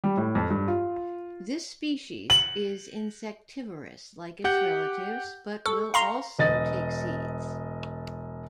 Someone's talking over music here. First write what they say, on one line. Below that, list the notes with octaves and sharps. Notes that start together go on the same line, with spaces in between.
This species is insectivorous, like its relatives, but will also take seeds.
G3
A2
F2
G2
F4
F#7
G4 F#5 G6
A4 C#6
F5 A#5 C6
E1 D#5 A6